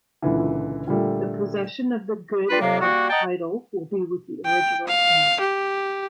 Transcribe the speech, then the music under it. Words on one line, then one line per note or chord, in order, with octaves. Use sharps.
The possession of the good of title will be with the original owner.
C#2 A#2 D3 E3
A#2 D3 G3 A3
G3 D4 F4 B4
F2 C3 F#3 A#3 F5
G3 A#3 F#4
D#5 F#5 G5 A5 A#5
G5
F5
G4